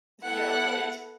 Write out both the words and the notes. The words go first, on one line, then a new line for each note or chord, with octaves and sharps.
Yeah, right.
B3 E4 A4 F#5